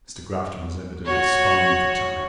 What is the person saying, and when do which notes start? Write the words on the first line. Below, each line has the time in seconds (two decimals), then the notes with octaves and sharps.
Mr. Grafton was evidently sparring for time.
1.07 F#4 C#5